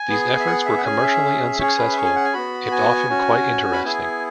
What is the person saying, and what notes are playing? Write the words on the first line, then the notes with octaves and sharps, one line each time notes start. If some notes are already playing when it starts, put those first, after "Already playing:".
These efforts were commercially unsuccessful, if often quite interesting.
Already playing: G#5
B3 G#4
E5
F#5
E5
F#5
C#4 G#4 G#5
E5
C#4 G#4 C#5
B4
E5
C#5
G#5
F#5
G#5
B3 F#4 B5
G#5
C#4 F#4
B5
B3 E4 G#4 G#5